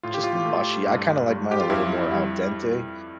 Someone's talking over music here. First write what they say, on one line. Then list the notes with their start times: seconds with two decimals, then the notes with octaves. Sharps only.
just mushy. I kinda like mine a little more al dente,
0.03 A2 F4
0.14 G4
0.24 F4
0.45 A3
0.86 G2
1.28 G3
1.51 G4
1.60 F4
1.70 F2 E4
2.12 G3